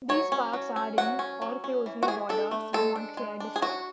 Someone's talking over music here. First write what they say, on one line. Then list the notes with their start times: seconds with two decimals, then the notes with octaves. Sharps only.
These parks are in or closely border the Montclair district.
0.09 F#3 C#5
0.32 C#4
0.53 F#3
0.76 C#4
0.98 F#3 F#5
1.19 C#4
1.42 F#3
1.64 C#4
1.86 E3
2.03 F#4
2.08 E3 G#4
2.29 D4 A4
2.51 A3
2.73 G#3 A4
2.96 D4
3.17 G#3
3.40 D4
3.56 G#4
3.62 F#3 F#4